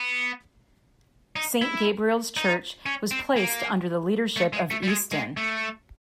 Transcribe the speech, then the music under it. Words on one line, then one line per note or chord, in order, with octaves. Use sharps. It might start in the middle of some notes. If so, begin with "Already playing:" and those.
Saint Gabriel's Church was placed under the leadership of Easton.
Already playing: B3
D#4
E4
D#4
C#4
C4
A#3
A3
G#3
A3
G3
G#3
G#3
A3